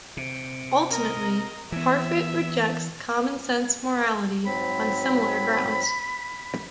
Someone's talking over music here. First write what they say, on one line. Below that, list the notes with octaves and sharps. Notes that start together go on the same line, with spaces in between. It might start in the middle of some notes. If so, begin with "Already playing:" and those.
Ultimately, Parfit rejects "common sense morality" on similar grounds.
C3
A#4 D#5
E3 B3 E5
G#2 F#3 C4 B5